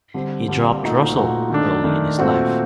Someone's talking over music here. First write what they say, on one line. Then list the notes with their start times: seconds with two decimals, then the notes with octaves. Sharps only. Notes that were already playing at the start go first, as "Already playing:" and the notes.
He dropped "Russell" early in his life.
0.14 D3 G3 C4
0.48 D3 G3 C4
0.82 A#2 A3 D#4 F#4
1.16 A#2 A3 D#4 F#4
1.50 D#3 A3 D4
1.84 D#3 A3 D4
2.18 A#2 A3 C4 F#4